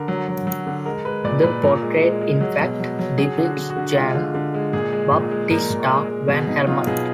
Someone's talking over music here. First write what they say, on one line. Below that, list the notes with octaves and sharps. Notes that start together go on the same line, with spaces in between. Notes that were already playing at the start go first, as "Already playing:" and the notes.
The portrait in fact depicts Jan Baptista van Helmont.
Already playing: D3 A#4
F#3
F#3
F#3
D3
G#3 A#4
G#3 B4
A#2 D5
A#2 B4
A#2 A#4
G#3
G#3
G#3
F#3
B2
F#3
F#3
F#3 G#4
D3
F#4
D3
F#4
D3
G#3 F4
D3
D3
G#3
A#2 G#4
G#3
A#2
G#3
A#2 A#4
A#2
G#3
G#3
B2 G#4
B2 D#4
F#3 F4
B2 G#4